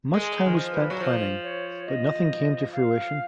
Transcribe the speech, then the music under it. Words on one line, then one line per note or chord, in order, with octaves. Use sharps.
Much time was spent planning, but nothing came to fruition.
G#3 A#4
G#4
D#3
F3
B4
F#3
F3
C#5
D#5
F5